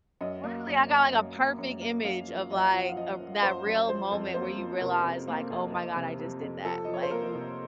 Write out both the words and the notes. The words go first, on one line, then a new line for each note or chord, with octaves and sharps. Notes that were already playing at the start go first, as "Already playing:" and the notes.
Literally, I got, like, a perfect image of, like, uh that real moment where you realize, like, "Oh my god, I just did that, like wh"
F#2 D#5
A#3
F#2
F#2
F#2
A#3
F#2
A#3
F#2 F5
F3
F#2 D#5
F3
F#5
F5
F3 D#5
F3
F#2 C5
F#2
F3 C5
F2
A#3 C5
F3
C3 A#4
C3
A#3
F2
F2
C3
C3
F2
F3 A4
F3 D#5
C#5
C5
A#3 A#4
C3